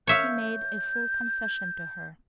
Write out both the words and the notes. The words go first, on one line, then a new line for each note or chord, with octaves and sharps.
He made a full confession to her.
C#5 E5 F5 G6